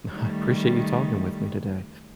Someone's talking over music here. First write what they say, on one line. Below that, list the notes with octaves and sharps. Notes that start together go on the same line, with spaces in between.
I appreciate you talking with me today.
D#3 G3 A3